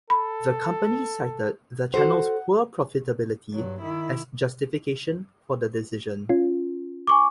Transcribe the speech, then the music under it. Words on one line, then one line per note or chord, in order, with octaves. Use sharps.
The company cited the channel's poor profitability as justification for the decision.
A4 B5
F#4 A4 C5 F#5
G2 F#3
D#3 E4
C#4 F4
G#5 C#6 D6